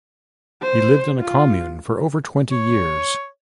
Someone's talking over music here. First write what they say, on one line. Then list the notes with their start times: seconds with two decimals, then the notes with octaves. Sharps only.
He lived in a commune for over twenty years.
0.62 C5
1.20 F4
2.52 C#5